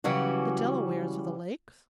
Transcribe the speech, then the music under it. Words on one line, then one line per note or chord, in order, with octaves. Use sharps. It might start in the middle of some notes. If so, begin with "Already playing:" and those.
"The Delawares of the Lakes!"
C#3 E3 F#3 G3 C#4 F#4